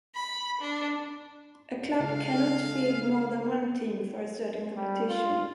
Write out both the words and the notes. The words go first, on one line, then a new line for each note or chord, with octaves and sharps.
A club cannot field more than one team for a certain competition.
B5
D4
C#3 G#3 A4 F5
G3
F4